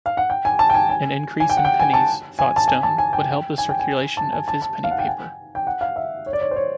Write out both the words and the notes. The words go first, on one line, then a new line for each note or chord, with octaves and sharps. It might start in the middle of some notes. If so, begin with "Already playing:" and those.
An increase in pennies, thought Stone, would help the circulation of his penny paper.
F5
F#5
G5
G#5
A5
G5
G#5
G#5
G#5
G5
F#5
G5
G#5
A5
G#5
A5
G#5
A5
G#5
G5
G#5
G5
G#5
A5
G#5
A5
A5
F5
F#5
G5
G#5
G5
F#5
F5
E5
C#5
D5
C#5
C5
C#5